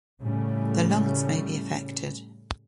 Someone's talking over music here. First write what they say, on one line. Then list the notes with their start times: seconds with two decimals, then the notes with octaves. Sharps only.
The lungs may be affected.
0.21 A2 C#3 G3 A3 C#4